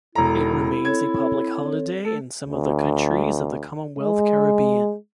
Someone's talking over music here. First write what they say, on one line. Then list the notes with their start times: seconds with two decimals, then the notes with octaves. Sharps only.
It remains a public holiday in some of the countries of the Commonwealth Caribbean.
0.15 E1 E4 A4 A#5
0.85 C4 A4 C#5 G#6
2.05 A3 A4
2.45 D2
3.98 G#3